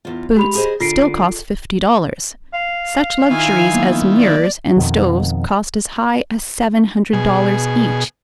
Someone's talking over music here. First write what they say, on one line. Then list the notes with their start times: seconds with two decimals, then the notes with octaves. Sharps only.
Boots still cost fifty dollars. Such luxuries as mirrors and stoves cost as high as seven hundred dollars each.
0.05 E2 F4
0.37 G#3 G4 B5 F7
0.55 G#4 C5 D#5
0.80 D3 F4 C7 D7
2.54 F5
3.31 D#3 E4 F4 G#5 C#6 F6 G#6
3.73 F#3 A#3 B3
4.17 D5
4.77 F2 B2 D#3
7.13 B2 G#4